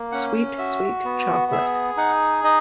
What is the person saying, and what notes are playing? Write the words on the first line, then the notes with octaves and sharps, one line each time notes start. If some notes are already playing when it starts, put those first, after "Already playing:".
Sweet, sweet chocolate.
Already playing: A#3
C#4 F#5
F#4 E5
B3
G#4 E5
D#4 F#5
D#4 D#5